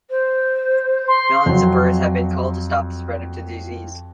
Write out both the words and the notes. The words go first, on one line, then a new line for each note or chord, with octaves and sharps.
Millions of birds have been culled to stop the spread of the disease.
C5
C6
F2 F#3